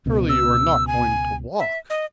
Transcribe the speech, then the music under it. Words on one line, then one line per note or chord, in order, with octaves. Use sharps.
"Surely you are not going to walk?"
C#2 B2
E6
G#5
E5
D#5